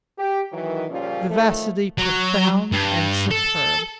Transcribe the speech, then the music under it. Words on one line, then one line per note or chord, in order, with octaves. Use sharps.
Vivacity profound and superb!
G4
D#3 E3 F#3
A#2 C#3 F3 G3 C#4 F4
D#3 F3 F#3 A3
F#3
G2
A4